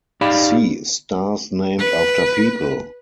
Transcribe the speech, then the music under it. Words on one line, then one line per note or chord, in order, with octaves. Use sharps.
See stars named after people.
D#4 G4 D5 F5 B5
B4